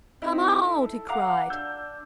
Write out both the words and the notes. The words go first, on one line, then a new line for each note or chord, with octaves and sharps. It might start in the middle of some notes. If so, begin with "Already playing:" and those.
"Come out!" he cried.
C4 D#4 E4
A4
F5 F#5 A#5 D6
D4 E6 G6